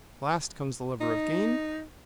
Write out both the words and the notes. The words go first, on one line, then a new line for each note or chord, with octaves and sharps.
Last comes the lover of gain?
D#4